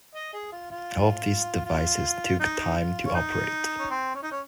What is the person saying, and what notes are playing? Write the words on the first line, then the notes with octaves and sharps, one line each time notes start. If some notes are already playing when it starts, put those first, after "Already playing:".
All of these devices took time to operate.
D#5
G#4
F4
F4
F4
D#4
F4
C#4
D#4
C#4
C4
C#4
D#4
C#4